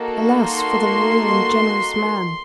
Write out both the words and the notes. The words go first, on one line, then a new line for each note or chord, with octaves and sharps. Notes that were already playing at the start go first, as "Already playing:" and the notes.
Alas, for the loyal and generous man!
Already playing: A#3 D#4 F#4 A4
C6